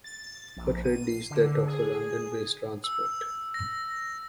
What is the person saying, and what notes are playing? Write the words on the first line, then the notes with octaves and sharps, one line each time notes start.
Her trade is that of a London-based transport.
A6
A#1
D#7
C7
D3
G#4
E6
A#6